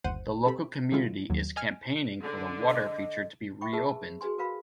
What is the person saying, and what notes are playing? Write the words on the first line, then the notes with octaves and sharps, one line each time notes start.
The local community is campaigning for the water feature to be reopened.
G1 D#2 C5 F#5 D#7
C4 G4 A4 B5
D3 E3 G#3 E4 F4
D#2 F#3
D#5 G#5 F6
D3
D#5
E5 G5 B5 C#6 D6
G#4 B4 E5 A5 E6
F#4 G#4 B4 G#5 C6
F#4 A#4 B4 F5 B5